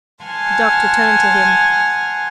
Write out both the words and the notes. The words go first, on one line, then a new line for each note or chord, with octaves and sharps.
The Doctor turned to him.
F#5 G#5 A5 C6 F6